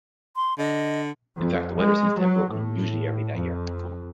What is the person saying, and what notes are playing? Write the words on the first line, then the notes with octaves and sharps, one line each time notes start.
In fact the weather seems to have broken unusually early that year.
C6
D3 D#5
F2
G#3
F#3
A2
F2